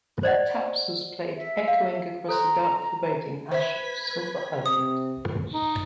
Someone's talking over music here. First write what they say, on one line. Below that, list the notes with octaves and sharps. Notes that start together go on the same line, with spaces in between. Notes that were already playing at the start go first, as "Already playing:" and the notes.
Taps was played echoing across the dark foreboding ash of "Sulfur Island".
C5 D5 D#5 F#5
E5
F5
A4 C5 A#5 C6
B4 C5 E5 G#6 B6
C3 D#6
D#4